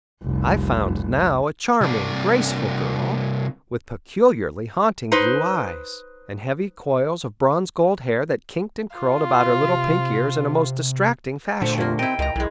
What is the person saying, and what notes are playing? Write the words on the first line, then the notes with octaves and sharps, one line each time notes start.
I found now a charming, graceful girl, with peculiarly haunting blue eyes, and heavy coils of bronze-gold hair that kinked and curled about her little pink ears in a most distracting fashion.
F1 C2
C2 D4
D#4 B4 C5
F4
C3
A#2 D3 A3 C5
C3 A#3 F4
C4 D#4 E4 G5
C#2 A#2 D#5 A#5
B1 A#2 G#3 E4